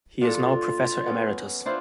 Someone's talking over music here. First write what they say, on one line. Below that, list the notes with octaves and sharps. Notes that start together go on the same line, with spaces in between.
He is now professor emeritus.
A#2 D4 F4 A4
B3 C#4
D4 E4 F4 C5